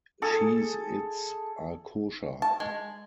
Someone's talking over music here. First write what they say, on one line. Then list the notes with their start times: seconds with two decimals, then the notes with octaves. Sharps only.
Cheez-Its are kosher.
0.22 G#4 A4
2.42 A5
2.60 G#3